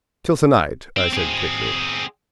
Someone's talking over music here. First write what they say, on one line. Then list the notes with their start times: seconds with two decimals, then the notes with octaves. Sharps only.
"Till to-night," I said quickly.
0.97 C4
1.13 C4 G#4